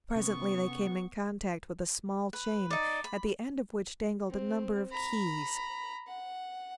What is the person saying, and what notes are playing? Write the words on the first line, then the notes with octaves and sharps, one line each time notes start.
Presently they came in contact with a small chain at the end of which dangled a number of keys.
C3 B3 C#4 C#6
B4
D#4 D5
B5
C4
A#5 B5
F#5